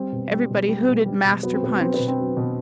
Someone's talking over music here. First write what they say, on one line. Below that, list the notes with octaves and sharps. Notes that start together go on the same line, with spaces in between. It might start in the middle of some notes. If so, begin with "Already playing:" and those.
Everybody hooted Master Punch.
Already playing: G3 C4
B2
G3
B2
G3
B2
G3
B2
F#3 B3
C4
B2 B3
F#3 C4
B2 B3
C4
F#3
B2